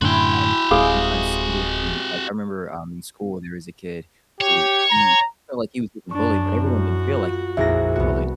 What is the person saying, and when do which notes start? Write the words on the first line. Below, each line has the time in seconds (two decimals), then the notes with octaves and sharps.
um, you know, sometimes people can like, I remember, um, in school there is a kid who he felt, like, he was getting bullied, but everyone didn't feel, like, they were getting bullied,
0.02 F#2 A2 D3 E4 F#4 G5 G#5 C6
0.71 D1 C3 G#3 G#4 D#5 F5 D6
4.41 G4 C#5
4.90 A#5
6.11 F#2 D4 C#6
6.64 E4 F#4
7.13 F4
7.57 A#1 F2 E4 G#4 E5 A#6
7.96 C2 B3 F#4